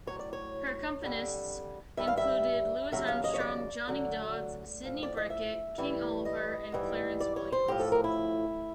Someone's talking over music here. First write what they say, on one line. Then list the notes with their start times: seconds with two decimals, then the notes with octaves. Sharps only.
Her accompanists included Louis Armstrong, Johnny Dodds, Sidney Bechet, King Oliver, and Clarence Williams.
0.07 A2 F#3 C#5
0.19 D5
0.33 C#5
1.02 F2 D3 G3
1.97 G2 D#3 G3 E5
2.07 F5
2.18 E5
2.92 D#2 C#3 F#3 E5
3.08 F5
3.24 D#5
3.34 C#5
3.40 D5
3.87 D2 D3 F#3
4.83 A2 F3
5.03 D5
5.17 D#5
5.30 E5
5.78 A2 E3 G3
6.25 D#5
6.72 G#2 E3 G3
7.20 D5
7.36 C#5
7.52 C5
7.68 A2 F3 G4
7.80 A4
7.92 A#4
8.04 E4